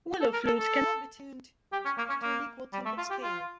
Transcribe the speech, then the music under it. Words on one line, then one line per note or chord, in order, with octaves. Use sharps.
Willow flutes cannot be tuned to an equal tempered scale.
A4
A#4
A4
A4
G4
C#4
A#3
C#4
A#3
G3
A3
F4
G4
F4